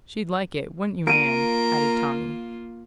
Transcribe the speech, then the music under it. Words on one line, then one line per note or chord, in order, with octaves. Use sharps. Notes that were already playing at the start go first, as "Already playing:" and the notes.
"She'd like it; wouldn't you, Nan?" added Tommy.
A#3 F4 A#4 D7 D#7